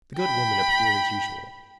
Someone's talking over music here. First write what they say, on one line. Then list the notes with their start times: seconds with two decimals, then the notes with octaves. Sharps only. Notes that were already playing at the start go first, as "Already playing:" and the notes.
The good woman appeared as usual.
0.18 G5 B5